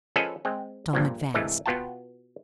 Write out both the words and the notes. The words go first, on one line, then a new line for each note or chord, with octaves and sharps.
Tom advanced.
F3 C#4 G#4 A4 B4 D#5
G#3 C4
A#1 G2 A#2 F3
C2 G2 E3 G#3 A3
B2 B3 F4 G5 A5